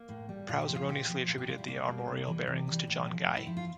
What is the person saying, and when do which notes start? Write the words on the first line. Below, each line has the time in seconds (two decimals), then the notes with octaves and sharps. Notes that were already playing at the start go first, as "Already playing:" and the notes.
Prowse erroneously attributed the armorial bearings to John Guy.
Already playing: A#3
0.09 A2
0.29 G3
0.49 A#2 F4
0.62 G4
0.69 F3
0.75 F4
0.89 A#2 G4
1.08 F3
1.28 A#2 F4
1.38 G4
1.48 G3 F4
1.58 E4
1.68 A#2 A#3
1.88 G3
2.08 C3
2.27 E3 G3
2.47 C3
2.68 E3 G3
2.87 A2
3.07 F3
3.27 A2
3.37 E4
3.47 F3 E4
3.57 F4